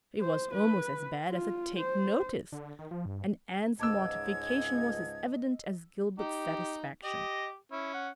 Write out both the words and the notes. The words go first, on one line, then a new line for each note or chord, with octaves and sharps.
It was almost as bad as a take-notice and Anne's mortification was as evident as Gilbert's satisfaction.
C5
B4
F4
C5
D3
D#3
F3
G2
C#2 G#2 D#5 A5 D6 E6 G#6
D#4 G4
G4 D#5
C#4 E4
F#5